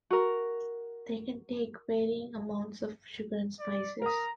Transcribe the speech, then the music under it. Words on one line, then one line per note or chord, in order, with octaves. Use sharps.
They can take varying amounts of sugar and spices.
F#4 A#4
D5
A#4 A#5 D#6